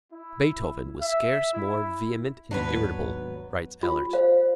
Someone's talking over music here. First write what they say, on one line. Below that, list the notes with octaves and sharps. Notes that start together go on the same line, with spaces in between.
"Beethoven was scarce more vehement and irritable," writes Ehlert.
E4
E5
E4
D#2 G#2 F#3 B3 D4 B4
F4
C5 D5 F5